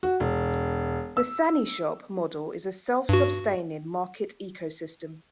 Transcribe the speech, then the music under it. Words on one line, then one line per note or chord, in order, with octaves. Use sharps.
The SaniShop model is a self-sustaining market ecosystem.
F#4
E1
E6
G2 F#4